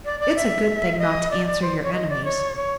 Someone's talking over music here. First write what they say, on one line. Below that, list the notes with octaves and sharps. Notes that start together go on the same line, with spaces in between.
It's a good thing not to answer your enemies.
D5
D5
E5
D#5
D5
D5
C5
C#5
D#5
D5
C#5
C#5